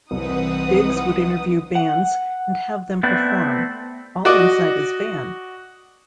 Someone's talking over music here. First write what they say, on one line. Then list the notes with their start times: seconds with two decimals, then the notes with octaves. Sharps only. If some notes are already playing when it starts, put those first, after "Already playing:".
Digs would interview bands and have them perform - all inside his van.
0.11 C2 E3 C4 D#4 B4 F#5 D#6
1.75 F#5
3.03 A3 B3 C4 E4 B4 D5
4.25 F#4 D5 D#5 D6